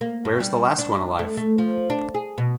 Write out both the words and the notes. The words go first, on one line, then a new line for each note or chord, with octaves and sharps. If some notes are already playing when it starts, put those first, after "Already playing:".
Where’s the last one alive?
A#3
G2
G3
D4
A3
A3
F3
D4
G#4
B2